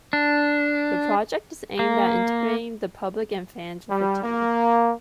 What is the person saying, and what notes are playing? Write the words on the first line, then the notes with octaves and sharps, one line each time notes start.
The project is aimed at integrating the public and fans with the team.
D4
A#3
G3
A#3